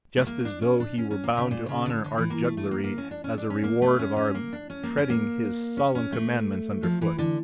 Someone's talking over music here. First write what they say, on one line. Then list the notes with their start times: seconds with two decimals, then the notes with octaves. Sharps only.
Just as though He were bound to honor our jugglery as a reward of our treading His solemn commandments under foot.
0.17 A3
0.27 A#3
0.45 D4
0.62 C#4
0.80 D4
0.98 C#4
1.10 C#4
1.24 A#3
1.37 C#3
1.51 A#2
1.68 C#3
1.86 D3
2.04 D3
2.18 E3
2.30 A#3
2.44 A3
2.57 A3
2.71 A#3
2.84 A#3
2.98 C#4
3.11 D4
3.24 C#4
3.38 D4
3.50 C#4
3.63 A#3
3.82 A3
3.99 C#4
4.17 C#4
4.35 A#3
4.53 D4
4.70 C#4
4.83 A#3
4.97 C#4
5.10 A#3
5.77 C#4
5.95 C#4
6.12 A3
6.83 F3
7.01 E3
7.19 D3